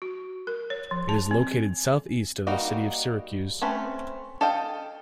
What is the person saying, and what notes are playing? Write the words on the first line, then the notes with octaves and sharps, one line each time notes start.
It is located southeast of the city of Syracuse.
F#4
A#4
C#5
F3
A5
C4
G3 A#3 D#4 F#4
A3 C4 C#4 B4
A4 D#5 F5 G5